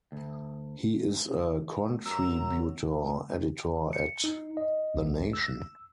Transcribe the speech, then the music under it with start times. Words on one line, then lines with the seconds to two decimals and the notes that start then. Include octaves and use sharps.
He is a contributor editor at "The Nation".
0.12 D2
2.06 F#2 A#5 E6
3.93 C#7
4.24 D#4
4.57 D#5
4.95 C2
5.33 E6